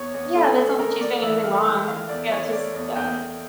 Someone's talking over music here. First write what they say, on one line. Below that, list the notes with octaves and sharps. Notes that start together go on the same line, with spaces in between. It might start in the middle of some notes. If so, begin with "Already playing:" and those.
Yeah, that's not like she's doing anything wrong. Yeah, it's just yeah.
Already playing: E2 C#5 C#6
E2
A3 A4 A5
A3
A3 A#4 A#5
A3 D5 D6
E3 E5 E6
A3 F5 F6
E3 G5 G6
E3 F5 F6
E2 D5 D6
E3 C#5 C#6
A3 D5 D6
E2
E2 G5 G6
E2